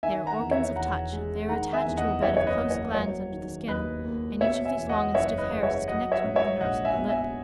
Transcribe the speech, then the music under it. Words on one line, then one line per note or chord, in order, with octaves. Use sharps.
They are organs of touch; they are attached to a bed of close glands under the skin; and each of these long and stiff hairs is connected with the nerves of the lip.
D#3 E5 G#5
F#5 A#5
E2
C#5 E5
E1 F#5 A#5
G#3
D#3 F#5 A#5
E5 G#5
E2
D#5 F#5
F#1 C#5 E5
C#5
B4 D#5
A#3
C#5
F#3 C#5
D#3
D#2 B4 D#5
A#3
B2 C#5 E5
E5 G#5
E2
D#5 F#5
F#1 C#5 E5
B4 D#5
G#3
C#5 E5
F#3 D#5 F#5
C#5 E5
G#2
C#5 E5
A#1 D#5 F#5
E5 G#5
B3
E5 G#5